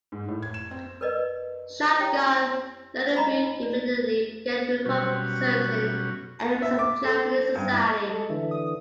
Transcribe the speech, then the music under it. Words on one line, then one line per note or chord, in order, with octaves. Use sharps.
Shogun Ienobu immediately began to reform certain elements of Japanese society.
G#2
A2
G#6
E7
C4
A#4 B4 D5 D#5
E4 G4 C#5 G5
D#4 D#5 A#5 B5 C#6
D5
B2 F#3 G3 C#4 F#4
E5
D6
A4
G2
E4
G#3 A4
D3 E3 E5
D#6